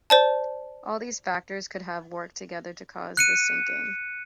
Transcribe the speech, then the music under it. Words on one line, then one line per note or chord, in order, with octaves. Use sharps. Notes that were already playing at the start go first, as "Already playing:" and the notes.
All these factors could have worked together to cause the sinking.
C5 D5 A5
F#6 C#7 D#7